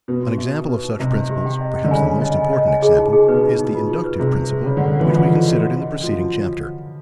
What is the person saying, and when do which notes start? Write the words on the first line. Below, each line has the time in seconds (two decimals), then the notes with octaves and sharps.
An example of such principles--perhaps the most important example is the inductive principle, which we considered in the preceding chapter.
0.08 B2 B4
0.23 F#4
0.38 E5
0.53 D#4
0.69 B4
0.84 D#4
1.00 C3 D#5
1.15 G4
1.30 G4
1.46 G5
1.61 D#5
1.76 G5
1.84 D3
1.91 C#3 G#5
2.07 G#5
2.22 D#5
2.38 G#5
2.53 D#5
2.67 G#5
2.82 G#4
2.98 D#4
3.13 G#4
3.28 B2 B4
3.44 D#4
3.59 D#4
3.75 F4
3.90 F4
4.05 B4
4.19 C3 G#4
4.35 B4
4.50 G#4
4.66 C#3 B4
4.77 D3
4.81 F#5
4.96 E3 B4
5.11 F3 D#5
5.27 G4
5.42 D#5
5.57 F#4
5.73 D#5
5.88 C#4
6.03 F3 F#4
6.19 F#4